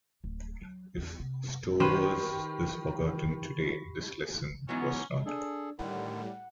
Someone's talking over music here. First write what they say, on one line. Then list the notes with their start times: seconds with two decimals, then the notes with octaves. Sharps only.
If Stowers is forgotten today, this lesson was not.
0.24 D1
0.61 F#3
0.98 E2
1.19 C3
1.80 D#3 G4 B4 C5 B5 C#6
4.69 G#2 E3 F#3 B3 C#4
5.26 D4 G#4 A4
5.79 A2 D3 D#3 G3 F#5